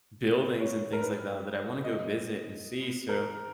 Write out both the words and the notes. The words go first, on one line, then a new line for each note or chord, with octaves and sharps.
buildings, and things like that, that I wanna go visit and see, so,
C#5
A#4
B4
D#5
A#4